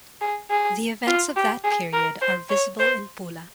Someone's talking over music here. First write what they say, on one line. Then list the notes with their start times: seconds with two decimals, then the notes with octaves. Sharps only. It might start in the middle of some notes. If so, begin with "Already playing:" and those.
The events of that period are visible in Pula.
0.21 G#4
0.50 G#4
1.07 F4
1.36 G4
1.64 G#4
1.93 A#4
2.21 C5
2.50 C#5
2.79 C5